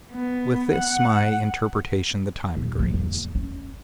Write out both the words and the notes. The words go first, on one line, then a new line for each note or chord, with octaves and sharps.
With this my interpretation the time agrees.
B3
F#5
D#2 A#2
F3 A#3
E2 D3
C#4